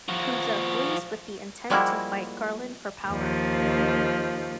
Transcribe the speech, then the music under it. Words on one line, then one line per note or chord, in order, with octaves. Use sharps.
Kuja flees with the intent to fight Garland for power.
F3 F#4
F3 G3 G#3 A#3 E4 F#4
D#2 F3